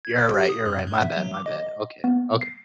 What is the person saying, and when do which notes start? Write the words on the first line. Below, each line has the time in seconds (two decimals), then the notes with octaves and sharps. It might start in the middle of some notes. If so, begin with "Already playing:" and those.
You're right, you're right. My bad, my bad, okay, okay.
0.05 G#6
0.18 G1
0.34 G4
0.49 D#6
0.65 F#2
0.87 G2
1.02 E5
1.17 F#3
1.34 D6
1.46 D#5
1.58 D#5
2.04 B3
2.41 C7